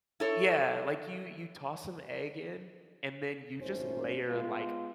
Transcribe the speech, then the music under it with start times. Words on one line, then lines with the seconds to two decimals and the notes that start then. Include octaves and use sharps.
Yeah, like, you you toss some egg in, and then you just layer, like,
0.20 E4 A4 C#5
3.59 G#1 F#2 A2 C#4 C5
4.29 G#3 B3 F4